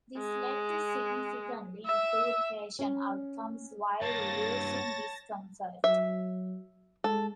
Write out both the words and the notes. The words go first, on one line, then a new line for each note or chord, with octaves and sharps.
This led to significantly improved patient outcomes while reducing discomfort.
G#3
E5 E6
C#4
G2 A#3 C#5 A5 A6 A#6
F#3 E5
G#3 A4